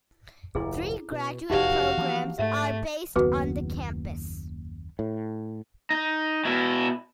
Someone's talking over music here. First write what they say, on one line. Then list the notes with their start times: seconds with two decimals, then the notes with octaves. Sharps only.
Three graduate programs are based on the campus.
0.55 F1 D2 A#2 E4 G#4
1.12 B2
1.50 F1 E2 D#4 F#4 G4 D5 F5
1.97 E3 F3 A#3
2.39 G#2 A3 E5
3.16 F#1 D#2 B3 F#4 B4
4.99 A2
5.90 D#4
6.45 B2 E4